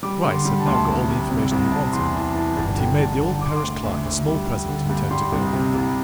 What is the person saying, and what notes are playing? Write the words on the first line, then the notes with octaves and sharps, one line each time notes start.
Bryce had now got all the information he wanted, and he made the old parish clerk a small present and turned to go.
G3 D6
D3
C6
G3
A5
D2 C6
A5
C2
G3
C3
C2
C3 A5
E2 C6
E3 A5
E3 A5
G1 A5
D3 G5
G1 A5
D3 A5
D3 D6
C6
D6
D2
D2
D2
G3
G3
D3
G2
G3 C6
C2
C3
C2